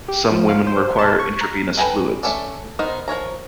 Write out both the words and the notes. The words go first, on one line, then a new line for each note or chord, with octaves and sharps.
Some women require intravenous fluids.
G4
F3
F5
C5
A5
C#6
A#5
A4 B4 G5 G#5 A#5
A3 C4 C#4 A4 D5
B3 D#4 A#4 C5
F3 A#4 C#5 A#5